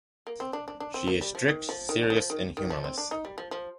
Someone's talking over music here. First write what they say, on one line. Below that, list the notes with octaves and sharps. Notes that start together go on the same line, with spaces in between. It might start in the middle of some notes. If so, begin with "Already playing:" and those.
She is strict, serious, and humorless.
A#3
C4
D4
D4
D4
C4
A#3
G3
F3
D#3
F3
D#3
F3
D#3
F3
D#3
D#3
F3
C4
D4
D#4
G3
F3
F3